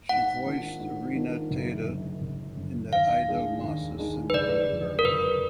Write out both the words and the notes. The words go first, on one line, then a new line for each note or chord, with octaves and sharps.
She voiced Riina Tada in "The Idolmaster Cinderella Girls".
G#2 F#5
D#3 A#3 D4 F4
G#2
D#3 A#3 D4 F4
F#1
F#2 D3
F#1
F#2 D3
D#2 F5
D#3 G#3 D4 G#4
D#2
D#3 G#3 D4 G#4
B4
F#1 D5
F2 D3 G#3
A#4
F#1 B4